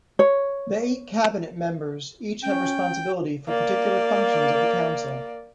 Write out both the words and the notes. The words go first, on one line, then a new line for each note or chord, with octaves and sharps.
The eight cabinet members each have responsibility for particular functions of the council.
C#5
C#4 G5
A#3 D5